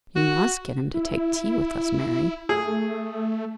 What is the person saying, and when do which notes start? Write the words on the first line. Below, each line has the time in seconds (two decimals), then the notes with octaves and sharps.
"You must get him to take tea with us, Mary."
0.16 F#4
0.94 E4
2.49 A3 G#4